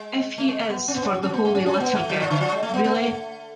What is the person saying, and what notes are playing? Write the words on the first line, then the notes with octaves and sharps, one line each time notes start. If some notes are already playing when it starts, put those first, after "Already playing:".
If he is for the Holy Liturgy, really.
Already playing: G#3
A3
G#3
A3
B3
C#4
B3
C#4
C#4
B3
A3
C#4
C#4
B3
A3
F#3
F3
D3
F3
G#3
A3
B3
B3
A3